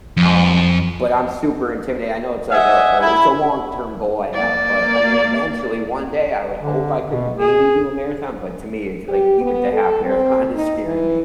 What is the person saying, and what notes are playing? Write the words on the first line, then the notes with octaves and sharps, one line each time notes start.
um, but I'm super intimidated, I know it's like a, uh, it's a long-term goal I have, but I mean, eventually, one day, I would hope I could maybe do a marathon, but to me, it's like, even the half marathon is scaring me.
F2
D#5 E5 F#5 G#5
E4
A#3 D5
D3
B2
G#4
G4
B3
A4
C4
D#4
E3